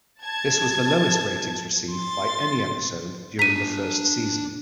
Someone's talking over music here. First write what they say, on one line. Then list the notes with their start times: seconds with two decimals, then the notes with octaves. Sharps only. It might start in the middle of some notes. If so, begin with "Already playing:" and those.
This was the lowest ratings received by any episode during the first season.
0.23 A5 G#6
1.93 C6 A6
3.39 D4 A#5 B6 D#7